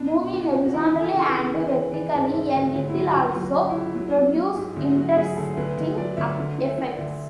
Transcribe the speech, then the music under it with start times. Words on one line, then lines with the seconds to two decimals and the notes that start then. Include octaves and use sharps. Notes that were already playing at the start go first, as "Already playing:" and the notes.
Moving horizontally and vertically a little also produces interesting effects.
Already playing: B2 D4
0.13 B2
0.33 C#2 F#4
0.53 C#2
0.66 F#4
0.73 E3 E4
0.94 E3
1.00 A4
1.14 C#3
1.27 B4
1.34 C#3
1.54 E3 B4
1.74 E3
1.94 E3 D5
2.15 G#2
2.34 C#3 E5
2.55 D2
2.61 F#4
2.75 D2
2.89 E4
2.95 F#3
3.15 C#2 F#4
3.36 F#3
3.42 F#4
3.55 C#2
3.69 E4
3.75 C#2
3.95 F#3
4.16 F#3
4.36 F#3
4.56 G#2
4.76 D2 F#4
4.96 F#3 F#4
5.16 F#3 G#4
5.36 D2 A4
5.57 D2 B4
5.77 D2
5.97 F#3 D5
6.17 D2 E5
6.38 D3
6.58 D3
6.64 E5
6.78 D3
6.91 D5
6.98 D2